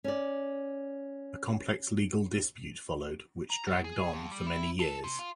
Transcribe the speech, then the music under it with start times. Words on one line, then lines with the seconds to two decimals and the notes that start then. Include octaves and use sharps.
A complex legal dispute followed, which dragged on for many years.
0.04 C#4 D5
3.50 A#5
3.67 F#3
3.84 G#4
4.13 F2
4.32 G3
4.47 E4
4.80 A4
5.04 C3
5.19 F4